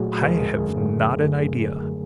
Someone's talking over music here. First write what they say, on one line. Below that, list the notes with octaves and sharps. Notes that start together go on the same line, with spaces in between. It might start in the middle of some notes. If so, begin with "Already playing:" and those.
"I have not an idea."
Already playing: A#2 F#3 A3 F#4 G#4
B4
D#2 D3 F3 G#3 G#4 A#4
F#2 D3 F#3 A3